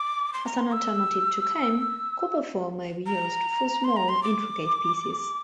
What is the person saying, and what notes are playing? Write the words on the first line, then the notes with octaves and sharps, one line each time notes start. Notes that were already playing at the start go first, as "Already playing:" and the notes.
As an alternative to came, copper foil may be used, for small, intricate pieces.
Already playing: D6
C6
A#5
C6
E6
A#5
C6
A#5
C6
D6